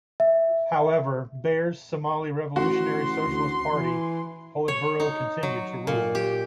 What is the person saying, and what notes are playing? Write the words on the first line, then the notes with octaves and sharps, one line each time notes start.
However, Barre's Somali Revolutionary Socialist Party politburo continued to rule.
E5
A1 F#4 C6
D2
E3
C#5
D#4
F#3
A#2
G4